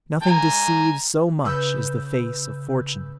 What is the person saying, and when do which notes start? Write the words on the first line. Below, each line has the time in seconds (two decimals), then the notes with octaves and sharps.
Nothing deceives so much as the face of fortune.
0.22 G#5 A#5
1.44 C#3 B4 E6 G6